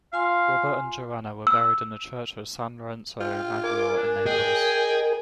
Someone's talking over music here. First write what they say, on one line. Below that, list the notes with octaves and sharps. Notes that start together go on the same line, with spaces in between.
Robert and Joanna were buried in the church of San Lorenzo Maggiore in Naples.
F4 F5 G#5 C6
E6
F4 G5
A#4 G#5 D6
D4
G#4 D#5 G5